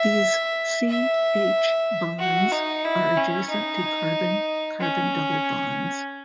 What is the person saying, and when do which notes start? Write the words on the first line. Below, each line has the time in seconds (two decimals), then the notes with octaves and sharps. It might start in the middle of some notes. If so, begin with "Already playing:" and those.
These C-H bonds are adjacent to carbon-carbon double bonds.
Already playing: E5
0.89 E5
2.19 F#4
2.52 D#4
2.85 E4
3.17 C#4
3.50 D#4
4.81 C#4